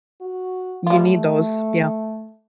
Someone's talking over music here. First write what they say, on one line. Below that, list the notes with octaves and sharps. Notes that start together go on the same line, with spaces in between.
You need those. Yeah.
F#4
G3 A3 F4